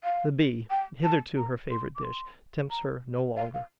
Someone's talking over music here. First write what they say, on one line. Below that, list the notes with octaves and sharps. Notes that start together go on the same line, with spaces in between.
The Bee, hitherto her favourite dish, tempts her no longer.
F5
G5
A5
A#5
C6
D6
C6
A#5
F5
F5